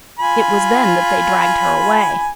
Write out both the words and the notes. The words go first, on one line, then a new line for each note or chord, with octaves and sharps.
It was then that they dragged her away.
F4 G#5 B5